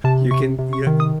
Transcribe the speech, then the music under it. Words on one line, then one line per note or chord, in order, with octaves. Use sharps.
you can, you know y
C3 A5
C3 C#6
C3
C#6
D#3
D#6